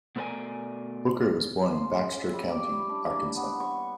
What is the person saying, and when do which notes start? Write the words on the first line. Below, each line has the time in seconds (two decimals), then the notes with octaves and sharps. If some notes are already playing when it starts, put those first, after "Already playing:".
Booker was born in Baxter County, Arkansas.
0.16 B2 A3 A#4 B4 D5 G#5
1.71 F4
1.94 C#3
2.21 E5
2.33 G3
2.50 D5
2.72 E4
2.89 D4
3.06 A#3
3.36 B3
3.60 C#6